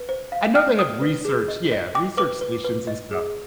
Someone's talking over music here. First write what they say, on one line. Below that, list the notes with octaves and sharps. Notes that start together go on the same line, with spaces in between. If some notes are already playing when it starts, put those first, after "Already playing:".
I know they have research, yeah, research stations and stuff.
Already playing: B4
C5
F5
G5 F6
D5 D#6
B4
G#4
D#5
D#5
G5 D6
B4 D6
B4
B4
D#5
G#4